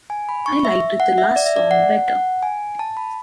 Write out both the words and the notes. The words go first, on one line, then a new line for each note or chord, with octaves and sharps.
I liked the last song better.
G#5
B5
C#6
E5
F#5
E5
D5
E5
D5
F#5
F#5
G#5
A5
B5